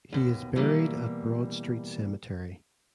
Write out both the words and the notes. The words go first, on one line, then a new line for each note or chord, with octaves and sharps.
He is buried at Broad Street Cemetery.
D#2 B2
B2 E3 G3 A#3